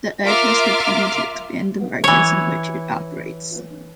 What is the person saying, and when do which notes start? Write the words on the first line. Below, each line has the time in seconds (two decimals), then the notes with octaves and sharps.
The Edge has continued to expand the markets in which it operates.
0.23 F4 A#4 E5 C6 D6 F6
2.04 E3 C#5